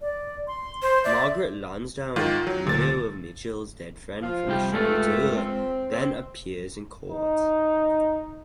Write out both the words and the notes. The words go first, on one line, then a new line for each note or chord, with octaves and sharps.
Margaret Lansdowne, widow of Mitchell's dead friend from the "Shenandoah", then appears in court.
D5
C6
C5
D5 E5
G#2 D#3 F4
F#3
D2 A#2 A6
F3 F4
C3 G3 G5
G2 G#3 A3 F4
C4
C4
D#4